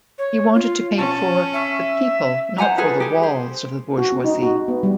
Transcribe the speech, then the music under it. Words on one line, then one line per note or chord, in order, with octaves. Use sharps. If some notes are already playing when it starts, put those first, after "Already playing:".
He wanted to paint for "the people, not for the walls of the bourgeoisie".
C#5
F4
C#4 A5
E5
C5 F#5 G#5 A#5
G#4 A4 B4
G4 G#4
C5
F#4
C4
D#4
F#4
B3
G3